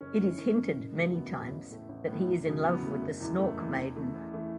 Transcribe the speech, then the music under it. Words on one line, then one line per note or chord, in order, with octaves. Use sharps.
It is hinted many times that he is in love with the Snork Maiden.
F#1 C#4
F#2 E3
F#1 C#4
F#2 E3
F#1
E2 C#3 F#3 A3
F#1 B3
E2 C#3 F#3 A3
A1
A2 A3
A1
A2 A3 B3
E2
C#3 F#3 A3
E2 B3
C#3 F#3 A3
F#1
E2 E3
F#1 A3
E2 E3
E2
E3 A3
E2
E3 A3